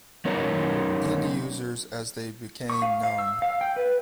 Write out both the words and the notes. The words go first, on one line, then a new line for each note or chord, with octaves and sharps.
"End users" as they became known.
F#3 B3 C#4 D#4 A#4 C#5
C#6
F5
F5
E6
F5
G5
B4